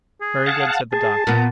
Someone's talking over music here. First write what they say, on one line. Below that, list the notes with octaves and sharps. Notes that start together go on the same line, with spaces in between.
"Very good!" said the doctor.
G#4
F5 F#5 A5
G#4 A5
A#2 B3 A#5